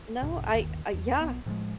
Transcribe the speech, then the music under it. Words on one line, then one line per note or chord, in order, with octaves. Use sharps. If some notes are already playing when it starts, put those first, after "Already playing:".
No, I Uh, yeah.
B1 G#2 C3
G1 D#2 D#3
E2
B1 B3
A2 F3 G3 G#3